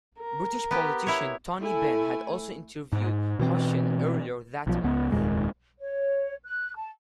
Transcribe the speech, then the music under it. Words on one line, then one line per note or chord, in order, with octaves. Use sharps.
British politician Tony Benn had also interviewed Hussein earlier that month.
A#4
B3 G4
E4 C#5
A3 E4 A4 G#5
G#2
B2 E3 C4
B1 F3
C#2 B3
F1 D#2 A#2 G#3
C#5
F#6
A5